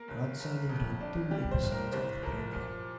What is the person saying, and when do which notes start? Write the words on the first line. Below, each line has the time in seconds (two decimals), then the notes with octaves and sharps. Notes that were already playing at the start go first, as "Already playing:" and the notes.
Rod Serling wrote two episodes of the program.
Already playing: A#3 A#4
0.08 G1
0.40 G1
0.69 F2
1.00 D4
1.31 G3 G4
1.51 C5
1.62 G1
1.72 A#4
1.92 C2 C5
2.23 F3 A#4
2.53 A#2